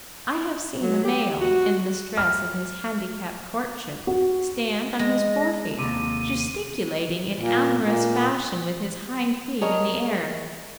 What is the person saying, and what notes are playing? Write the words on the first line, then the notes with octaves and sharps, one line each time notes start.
I have seen a male, in the stress of his handicap courtship, stand on his fore-feet, gesticulating in amorous fashion with his hind feet in the air.
F#3
G4
F#4
F6
F#4
G#3 A#6
D#2 C3 D#7
A#2
A#2
G#4 A#4 C#5 D#5